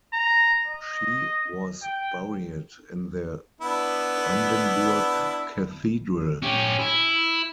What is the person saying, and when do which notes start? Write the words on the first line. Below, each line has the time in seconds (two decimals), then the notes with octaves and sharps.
She was buried in the Brandenburg Cathedral.
0.13 A#5
0.67 D#5
1.82 G5
3.61 B3 D4 E4
6.43 C#4 G4
6.79 E4